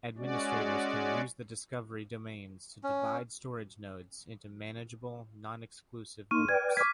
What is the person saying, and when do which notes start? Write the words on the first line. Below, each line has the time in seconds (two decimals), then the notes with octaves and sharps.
Administrators can use the discovery domains to divide storage nodes into manageable, non-exclusive groups.
0.18 G#3 C#4 F#4 D5
2.83 C#4
6.31 A#3 D#4 C6 C#6 F6 D#7
6.49 B4 D5 G5 G#6
6.77 C#6 D6 F6 G#6 B6